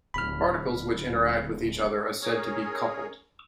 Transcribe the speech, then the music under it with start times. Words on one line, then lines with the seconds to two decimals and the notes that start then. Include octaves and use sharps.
Particles which interact with each other are said to be coupled.
0.14 D1 B5 F6
2.21 C#4 G#4 A#4 C#5